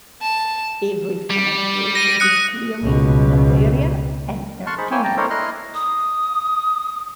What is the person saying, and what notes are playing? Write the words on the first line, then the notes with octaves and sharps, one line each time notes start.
Every finite group is clearly Noetherian and Artinian.
A5
G3
A#6 D#7
D#6 F#6 C#7
C#2 B2
A5 C6 C#6 F6 F#6
D#4 G#4 C5 B5
A#3 E4 C#5 G5 G#5
G5 A5 A#5
D4 E4 A4 A#4 C5 C#5
E4 D#5 A#5 C6 F6 F#6
D#6